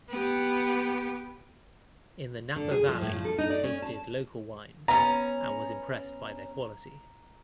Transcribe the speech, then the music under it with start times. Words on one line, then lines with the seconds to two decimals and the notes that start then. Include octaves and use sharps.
In the Napa Valley he tasted local wines and was impressed by their quality.
0.10 B3 G4
2.56 D3
2.71 G#4
2.88 F3
3.01 A2
3.13 F3
3.25 A4
3.38 D#4
3.50 D5
3.63 C#4
3.82 A5
4.88 B3 C#4 A#5